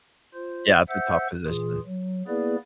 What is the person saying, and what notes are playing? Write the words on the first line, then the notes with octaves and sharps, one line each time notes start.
Yeah, it's a tough position.
F4 C5
C5 E5 F#5 E6 G6
A#2 E3 F4 G#4
F#3
A#3 B3 E4 G#4 B4 D5